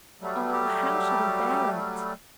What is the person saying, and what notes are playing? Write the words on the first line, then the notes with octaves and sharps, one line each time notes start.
Oh! how should he bear it?
F#3 G3 A3
G4